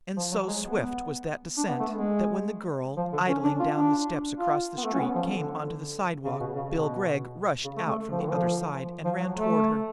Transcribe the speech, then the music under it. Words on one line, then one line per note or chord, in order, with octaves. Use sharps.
And so swift was that descent that, when the girl, idling down the steps across the street, came onto the sidewalk, Bill Gregg rushed out from the other side and ran toward her.
F3
F#3
G#3
B3
D4
B3
A3
G#3
F3
D3
C#4
D4
F4
D4
F4
B3
A3
C#4
B3
F3
D3
C#3
B2
C#3
B2
C#3
A3
A3
F3
D3
F3
F3
F#3
A3